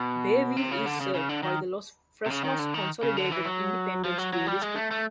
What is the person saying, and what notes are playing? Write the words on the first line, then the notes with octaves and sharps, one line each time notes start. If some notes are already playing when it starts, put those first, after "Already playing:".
Bayview is served by the Los Fresnos Consolidated Independent School District.
Already playing: B2
C3
C#3
D3
C#3
C#3
D3
D#3
C3
C#3
D#3
D3
D#3
C#3
D3
E3
F#3
F3
F#3
F#3
G3
G#3
A3
A3